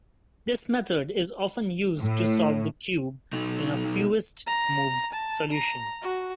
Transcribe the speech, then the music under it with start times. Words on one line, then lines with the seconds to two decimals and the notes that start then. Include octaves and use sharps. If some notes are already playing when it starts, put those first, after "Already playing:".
This method is often used to solve the cube in a fewest-moves solution.
2.00 A2
3.33 B2 D#4
4.47 A#5
5.13 A5
5.52 A#5
6.03 F#4